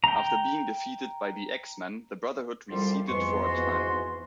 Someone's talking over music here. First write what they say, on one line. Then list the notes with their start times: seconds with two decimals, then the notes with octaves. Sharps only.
After being defeated by the X-Men, the Brotherhood receded for a time.
0.04 G5 A#5
2.70 C2 F2 G3 C6
3.08 F2 G#2 E3 B3 C6 C#6
3.44 F#4